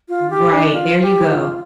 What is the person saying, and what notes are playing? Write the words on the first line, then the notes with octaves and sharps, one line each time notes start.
Right, there you go.
F4
G4
D4
F4
G4
F4